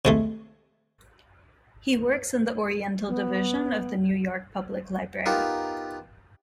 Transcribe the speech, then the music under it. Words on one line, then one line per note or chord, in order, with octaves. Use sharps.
He works in the Oriental Division of the New York Public Library.
C3 G#3 A3
B3
B3 D#4 F4 G4 A#4